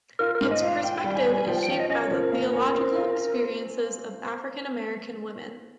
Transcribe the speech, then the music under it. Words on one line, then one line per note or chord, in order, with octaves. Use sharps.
Its perspective is shaped by the theological experiences of African-American women.
F4 A#4
A#4
G#2
D#5
F4
F5
F4 G5
G3
G#5
G3
F3 G5
G5
F3
D#5
C#4 D#5
C#5
F3 A#4
A#3
C#4
C4
F4